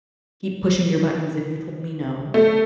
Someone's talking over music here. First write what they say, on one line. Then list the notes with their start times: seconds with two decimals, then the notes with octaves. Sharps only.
keep pushing your buttons if you told me "no."
2.34 A3